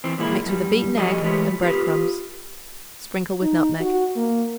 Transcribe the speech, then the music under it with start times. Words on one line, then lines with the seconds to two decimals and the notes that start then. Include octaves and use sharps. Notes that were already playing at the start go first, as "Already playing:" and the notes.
Mix with a beaten egg and bread-crumbs; sprinkle with nutmeg.
0.04 E3 C4
0.18 A#2 E3 G#3 A#3 E4
0.46 F#2 G3
0.97 F3 F#4 G4 A4 D5 D#5
1.22 E3 G#3 A3 G4 B4 C#5
1.62 F4 G4 B4
3.42 D#4
3.80 F#4
4.16 A#3